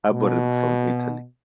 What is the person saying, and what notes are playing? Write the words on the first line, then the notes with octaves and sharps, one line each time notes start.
Aborym from Italy.
B2